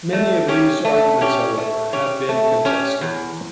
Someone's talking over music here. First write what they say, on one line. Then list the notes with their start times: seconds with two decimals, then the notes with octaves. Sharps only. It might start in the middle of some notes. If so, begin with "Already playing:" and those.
Many of Lee's arguments, however, have been contested.
0.13 A3
0.48 C#4 G4 C#5
0.85 A3
1.21 C#4 G4 C#5
1.57 A3
1.93 C#4 G4 C#5
2.29 A3
2.65 C#4 G4 C#5
3.01 E2